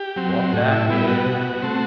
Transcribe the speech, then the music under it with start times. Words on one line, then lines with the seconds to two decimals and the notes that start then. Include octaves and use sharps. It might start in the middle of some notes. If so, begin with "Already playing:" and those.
brought back in, and
Already playing: G4
0.16 F#3 C4
0.53 A2 F#4
0.71 E4
0.89 G3 B3 E4
1.07 F#4
1.26 B2
1.62 A3 C4